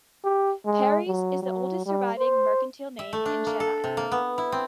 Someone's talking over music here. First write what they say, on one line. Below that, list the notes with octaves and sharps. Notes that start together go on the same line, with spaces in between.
Parry's is the oldest surviving mercantile name in Chennai.
G4
G#3
F#3
F#3
G3
C5
E5
A3
D4
A#3
A4
C3
A#3
B3
E4
C4